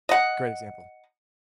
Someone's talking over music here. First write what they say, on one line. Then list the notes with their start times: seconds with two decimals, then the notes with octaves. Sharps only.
Great example.
0.09 D#5 F#5